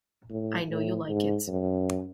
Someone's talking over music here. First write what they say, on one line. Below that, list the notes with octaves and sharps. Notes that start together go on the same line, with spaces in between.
I know you like it.
A2
A2
G#2
F#2